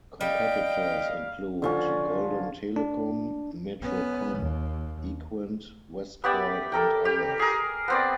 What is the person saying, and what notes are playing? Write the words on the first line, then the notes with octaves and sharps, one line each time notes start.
Competitors include Golden Telecom, Metrocom, Equant, Westcall, and others.
G3 D#5 F5 G5
D3 F3 C#4
D4
B3 C#4
D#2
B3 G4 D5 E5
A4 A#4 G5
G4
G#4 A#4
B3 C4 D5